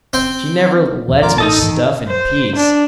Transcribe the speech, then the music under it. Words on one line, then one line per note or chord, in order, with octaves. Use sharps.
She never lets me stuff in peace.
C4 G5
D#2 B2 E3
A1 E3 F#3 F4 A#4 D6
A1 D#4 A4 D#5 A5
G#2 D#3 E3
C5
D4